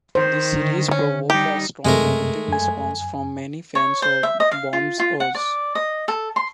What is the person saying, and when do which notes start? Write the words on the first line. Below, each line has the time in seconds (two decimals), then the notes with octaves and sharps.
The series provoked a strong negative response from many fans of Baum's Oz.
0.15 D#3 C5
0.53 D3
0.91 C#4
1.30 G3 D#4 G4
1.85 F#2 C3 G#3 A3 A#4
2.48 F#2 G#5
3.75 C#5
4.02 C5
4.23 E5
4.40 D#5
4.51 F5
4.73 F4
5.00 F4
5.20 F#5
5.35 D5
5.75 D#5
6.08 A4
6.36 C6